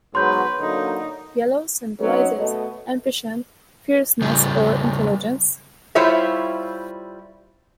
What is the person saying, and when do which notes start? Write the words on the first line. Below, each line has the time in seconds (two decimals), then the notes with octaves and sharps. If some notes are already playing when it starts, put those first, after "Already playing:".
Yellow symbolizes ambition, fierceness, or intelligence.
0.15 G#2 F#3 B3 B4 C6 G6
0.60 D3 F#3 A#3 D#4
1.99 F#3 C4 C#4 D#4 B4
2.37 B2 A3 D#5
4.22 C#3 G3 F4 A4
5.95 G3 E4 F4 C5 C#5 E5